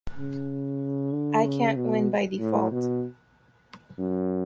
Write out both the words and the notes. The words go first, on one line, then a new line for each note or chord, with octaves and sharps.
I can't win by default.
C#3
D3
C#3
B2
A2
B2
F#2